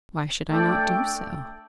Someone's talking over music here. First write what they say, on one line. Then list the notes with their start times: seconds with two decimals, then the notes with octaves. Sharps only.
"Why should I not do so?"
0.49 A3 D4 A4 D5 G5